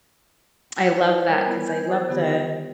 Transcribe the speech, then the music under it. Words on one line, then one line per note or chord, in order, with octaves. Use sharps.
I love that 'cause I love the
E4 F4 B4 C5 D5 F#5
G3 A#4 C#5 D5
B3 E4
G#5 G6 G#6
C5 D#6 A6
D3 D#3 B3 F4 G4